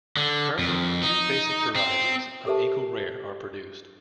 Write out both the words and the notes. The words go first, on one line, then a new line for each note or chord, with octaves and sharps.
Currently, two basic varieties of Eagle Rare are produced.
D3
F2
D#4
C4
G4 A4 A#4 C5 E5 A5